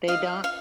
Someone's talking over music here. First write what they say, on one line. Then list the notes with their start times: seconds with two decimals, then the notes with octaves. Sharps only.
They don't.
0.08 F4 D#5 F5
0.44 F5